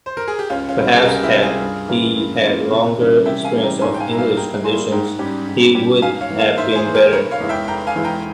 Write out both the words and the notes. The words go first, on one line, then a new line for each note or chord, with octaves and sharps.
Perhaps had he had longer experience of English conditions he would have been better.
C5
A#4
G#4
G4
C#2 C#4 F4
C#4 F4
C3 G3
G#4
C#2 G4 A#4
E4 G4
C3 G3
F4 G#4
G2
E3 A#3 C#4 F4
G2
E3 A#3 C#4 F4
C3
E3 G3 C#4
C3 E5 G5
F5 G#5
E3 G3 C#4
G5 A#5
G#2 G#5 C6
G5
F5 G#5
G3 A#3 E4 A#5
F5 G#5
G#2 G5 A#5
G3 A#3 E4 G#5 C6
G#2 G5 A#5
G3 C#4 G4
G#2
G3 C#4 G4
G#2 F5 G#5
C#5 F5
E3 A#3
C#5 F5
G#2 C5 E5
C#5
G#4 C5
E3 A#3
G4 A#4
F1 A#4 C#5
C#5 F5
E2 E3 G#3 E4
E5 G5
F1 G5 A#5
F5 G#5
E2 E3 G#3 E4
G5 A#5